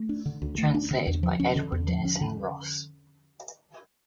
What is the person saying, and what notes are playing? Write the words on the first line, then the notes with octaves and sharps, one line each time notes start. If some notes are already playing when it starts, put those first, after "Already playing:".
Translated by Edward Denison Ross.
Already playing: A3
D4
D3
D2
A3
D4
D3
E2
F3
C#4
D3
E2
F3
C#4
D3